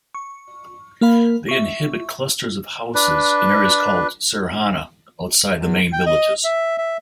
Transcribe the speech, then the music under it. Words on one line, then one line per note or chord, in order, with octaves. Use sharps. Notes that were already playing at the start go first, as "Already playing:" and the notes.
They inhabit clusters of houses in areas called saharana outside the main villages.
C#6
A#3 A#4 F5 B5
E5 C#6
D4 B4
E2
G5
D#5
E5
E5